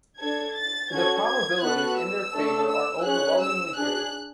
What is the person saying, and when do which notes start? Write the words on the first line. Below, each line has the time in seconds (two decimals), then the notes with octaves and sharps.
The probabilities in their favor are overwhelmingly great.
0.19 D4 A4 G#6
0.55 A6
0.91 C#4 F#4 A4 G#6
1.26 G#6
1.61 B3 F#4 A4 F#6
1.98 E6
2.33 A3 D4 A4
2.69 E6
3.04 C#4 G#4 F#6
3.40 E6
3.76 D4 G#4 F#6